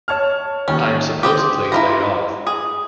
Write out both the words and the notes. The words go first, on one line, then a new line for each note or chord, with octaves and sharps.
I'm supposedly laid off.
C#5 A5 F6
D#3 G3 A#3 C#4
G4 G#4 C5
E4 F4 A#5 B5
G#4